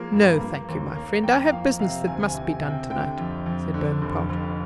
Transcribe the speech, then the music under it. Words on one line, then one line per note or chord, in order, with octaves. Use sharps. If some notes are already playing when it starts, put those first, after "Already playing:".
"No, thank you, my friend; I have business that must be done tonight," said Bonaparte.
Already playing: F3 G#3 A#3
G2
A#3
D#2
A#3
F2 G5
F3 F5
C3 F5
D2 G#5
G#5
C3
G#5
C3
G5
D3 G5
F2
F2
D3
F1
F2